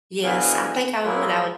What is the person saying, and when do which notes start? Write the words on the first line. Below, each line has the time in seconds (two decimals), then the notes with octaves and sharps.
Yes, I think I would I would
0.24 B2 D3 E3 F3 D#4 G#5
1.04 A#2 F#3 G#3 A#3 E4 G#4